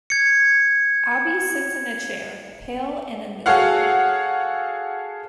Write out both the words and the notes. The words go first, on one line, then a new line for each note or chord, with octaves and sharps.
Abbie sits in a chair, pale and unmoving.
G#6 C#7
F#4 G#4 A4 C#5 F5 F#5